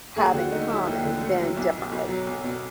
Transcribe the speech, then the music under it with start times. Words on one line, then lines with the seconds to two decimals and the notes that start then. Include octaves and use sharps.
have in common than differently.
0.16 D#2 G#4
0.33 D3 F#4
0.51 A3 D#4
0.69 F#3 E4
0.87 D#2
1.04 D3
1.21 A3
1.39 F#3
1.56 B1 E4
1.74 B2
1.92 B1
2.09 F#3
2.27 B1
2.44 B2